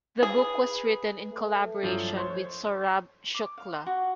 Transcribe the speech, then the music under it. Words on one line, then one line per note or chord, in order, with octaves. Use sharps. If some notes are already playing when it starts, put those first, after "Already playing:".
The book was written in collaboration with Saurabh Shukla.
G#4 B4
A3
G2 F3 F#3
C5 C#5 C#6
D6
F5
C6
F#4